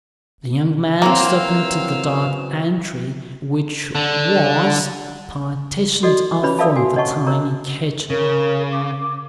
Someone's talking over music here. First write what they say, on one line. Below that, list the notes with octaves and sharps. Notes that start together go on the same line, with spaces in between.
The young man stepped into the dark entry, which was partitioned off from the tiny kitchen.
E3 F#3 A#3 C4 F5 E6
D3
F#4 A4 D5 D#5
C#4 F4 B4 C#5 B5
A4 A#4 D5 E5 F5 A5
F#4 G#5
C#5 D#5 F#5 A5 C#6
A#4 C#5 A#5
C#3 A#4
D6